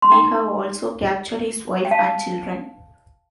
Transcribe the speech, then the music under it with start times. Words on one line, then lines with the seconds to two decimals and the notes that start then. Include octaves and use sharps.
We have also captured his wife and children'.
0.02 C6
0.11 D#4 A#4 G5 A#5
1.85 G5
1.91 F5 A5